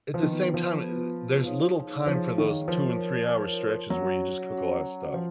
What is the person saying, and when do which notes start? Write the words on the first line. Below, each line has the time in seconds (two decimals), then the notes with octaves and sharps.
at the same time, there's little time for those two and three-hour stretches where you just cook a lot of stuff,
0.14 F3
0.23 D#3 B3 F4 B4
0.54 F3
0.84 B3 F4 B4
1.45 D#4 G#4 C#5 F5
2.07 F3 D#4 G#4 C#5 F5
2.38 D#3
2.68 F3 F4 A#4 C#5
3.30 F4 A#4 C#5
3.90 F#3 C#4 F#4 C#5 F#5
4.52 C#4 F#4 C#5 F#5
5.13 F3 F4